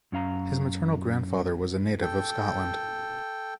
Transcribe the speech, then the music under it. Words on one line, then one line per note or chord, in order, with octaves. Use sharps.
His maternal grandfather was a native of Scotland.
F#2 C#4 F5 A#5
A4 G5